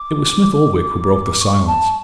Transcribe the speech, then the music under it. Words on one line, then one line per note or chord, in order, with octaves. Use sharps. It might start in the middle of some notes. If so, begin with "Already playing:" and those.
It was Smith-Oldwick who broke the silence.
Already playing: D6
C#6
A5